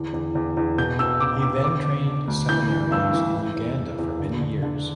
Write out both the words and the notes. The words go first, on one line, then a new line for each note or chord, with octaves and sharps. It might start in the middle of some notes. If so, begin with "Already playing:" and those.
He then trained seminarians in Uganda for many years.
Already playing: E2 D3
E2
E2
E2
B2 G6
B2 E6
B2 D6
B2 E6
D3 D6
D3
D3
D2
E3 G6
E3
G2 E6
E3
E3
E2
E2
E2
D3
D3
D3